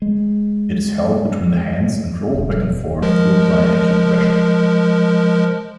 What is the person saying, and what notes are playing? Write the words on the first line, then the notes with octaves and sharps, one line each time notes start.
It is held between the hands and rolled back and forth to apply acupressure.
G#3
E1
F3 G#3 A#4